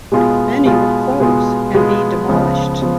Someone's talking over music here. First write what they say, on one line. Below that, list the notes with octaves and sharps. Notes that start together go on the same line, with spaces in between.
Many would close and be demolished.
B2 G#3 B3 F4 G#4
B2 G#3 B3 F4 G#4
B2 G#3 B3 F4 G#4
B2 G#3 B3 F4 G#4
C#2 C#3 F3 B3
F3 B3